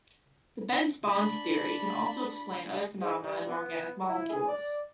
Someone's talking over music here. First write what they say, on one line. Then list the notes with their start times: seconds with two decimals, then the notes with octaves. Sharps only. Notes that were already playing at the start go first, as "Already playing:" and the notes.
The bent bond theory can also explain other phenomena in organic molecules.
1.08 D4 B5
3.01 G#2
3.23 G2
3.49 B3
4.08 E4
4.30 G#4
4.48 D5